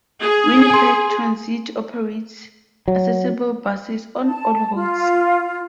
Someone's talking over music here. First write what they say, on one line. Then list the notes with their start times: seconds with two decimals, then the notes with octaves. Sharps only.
Winnipeg Transit operates accessible buses on all routes.
0.21 G#4
0.70 G#5 C6
2.88 F#3
4.25 A5
4.75 F4